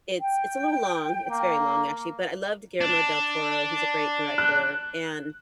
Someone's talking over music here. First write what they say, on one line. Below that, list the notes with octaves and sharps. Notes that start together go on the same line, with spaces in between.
it's it's a little long, it's very long, actually, but I loved Guillermo del Toro, he's a great director, and
G5
A#3
D4
F#6